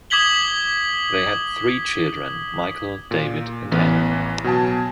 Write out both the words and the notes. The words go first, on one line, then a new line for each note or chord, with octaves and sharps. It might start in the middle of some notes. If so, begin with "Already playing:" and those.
They had three children, Michael, David and Ann.
D6 D#6 G#6 B6 F#7 G7
A#2
A1 E3 B3 B4
B2 F#3 G#5 A5